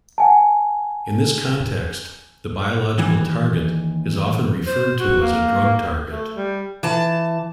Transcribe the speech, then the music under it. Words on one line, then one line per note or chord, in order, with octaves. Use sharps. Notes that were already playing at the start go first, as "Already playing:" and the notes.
In this context, the biological target is often referred to as a drug target.
F#5 G#5 A5
D#2 E3
C5
F#4
A#3
A3
G3
E3 A5